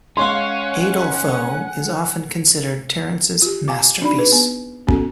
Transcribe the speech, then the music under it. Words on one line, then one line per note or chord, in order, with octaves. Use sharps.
"Adelphoe" is often considered Terence's masterpiece.
G#3 C#4 C#5 F5 F#5 G#5 C6 F#6
F4 G4
F5 G#5 D6
C4 D4 D#4 F#4 D5 B5
G#4 B4
B3
B3 C#4 F#4 A4